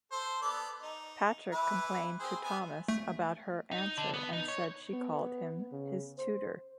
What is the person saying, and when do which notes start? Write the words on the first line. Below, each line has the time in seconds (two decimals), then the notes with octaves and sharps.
Patrick complained to Thomas about her answer and said she called him "his tutor".
0.12 A4 C5
0.42 B3 A4 D5
0.83 D#4
1.52 E3 E4 B4
2.19 C4 G#4 C5
2.44 B3 G#5
2.88 A3
3.71 D#4
3.98 D3
4.14 B3
4.33 D#4
4.48 C#5
4.93 B3
5.72 C#3
6.18 C5